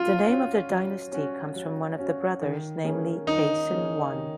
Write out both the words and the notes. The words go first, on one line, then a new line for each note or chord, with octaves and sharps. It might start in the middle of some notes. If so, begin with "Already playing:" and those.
The name of the dynasty comes from one of the brothers, namely Asen I.
Already playing: F#3 C#4 F4
C#4 F#4
F#3
C#4 F#4
F#3
C#4 F#4
D#3
A#3 C#4 G#4
D#3 D#4
A#3 C#4 G#4
D#3